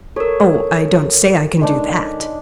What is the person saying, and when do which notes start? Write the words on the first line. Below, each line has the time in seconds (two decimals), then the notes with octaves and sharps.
"Oh, I don't say I can do that."
0.16 A4 A#4 C#5
1.61 G#3 D4 D#4